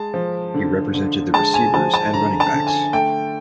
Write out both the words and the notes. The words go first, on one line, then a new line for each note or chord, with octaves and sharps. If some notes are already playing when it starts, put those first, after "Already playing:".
He represented the receivers and running backs.
Already playing: G#3 A5
F3
D3
D3
G#3 A5
G#5
F3 A5
A5
D3 A#5
A5
D3
G#5
A3 G5